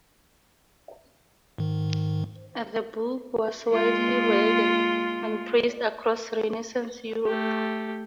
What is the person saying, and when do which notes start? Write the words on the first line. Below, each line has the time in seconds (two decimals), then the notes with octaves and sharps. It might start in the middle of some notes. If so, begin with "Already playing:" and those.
The book was widely read and praised across Renaissance Europe.
1.58 G#2 D#3
3.71 G#3 A#3 F4
7.26 A3 G4